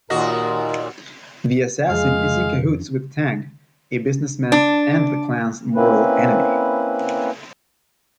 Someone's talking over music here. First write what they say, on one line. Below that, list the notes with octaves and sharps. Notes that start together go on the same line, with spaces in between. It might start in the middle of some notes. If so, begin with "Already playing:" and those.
The assassin is in cahoots with Tang, a businessman and the clan's mortal enemy.
D#2 A#2 F#4 A#4 D#5
F2 G#3 F4 G#4 F5
D4
A#3 C4 C#4 E4 B4